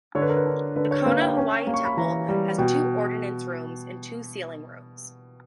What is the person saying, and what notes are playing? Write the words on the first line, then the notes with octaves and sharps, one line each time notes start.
The Kona Hawaii Temple has two ordinance rooms and two sealing rooms.
D3 C#5
B4
A#4
B4
D4
D3 B4
C#5
A#3 B4
G5
C#4
A#3
C#6
B5
E3 A#5
G3
B2 G5